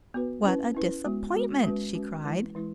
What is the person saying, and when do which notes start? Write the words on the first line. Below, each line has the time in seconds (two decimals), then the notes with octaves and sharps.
"What a disappointment!" she cried.
0.14 B3 F#4 B4
0.44 C#4 E4 B4
0.75 C#4 E4 B4
1.05 G#3 B3 F#4
1.34 G#3 B3 F#4
1.64 G#3 C#4 F#4 B4
1.95 G#3 C#4 F#4 B4
2.25 E3 G#3 E4
2.55 E3 G#3 E4